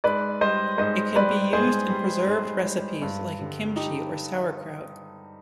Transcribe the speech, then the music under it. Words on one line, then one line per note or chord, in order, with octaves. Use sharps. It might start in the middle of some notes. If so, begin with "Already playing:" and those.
It can be used in preserved recipes like kimchi or sauerkraut.
G#2 B4 D5
G3 C5 D#5
G#2 C5 D#5
G3 B4 D5
G#2 G#4 C5
G3
G#2
G3
G2
D3 G3
D#4 G4